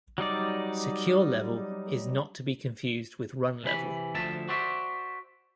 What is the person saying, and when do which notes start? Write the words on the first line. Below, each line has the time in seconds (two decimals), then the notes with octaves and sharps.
Securelevel is not to be confused with runlevel.
0.18 F#3 G3 D#4 D5
3.64 C3 E3 B5
4.15 D2 F3 E5 A5
4.48 F#4 C5 D5 E5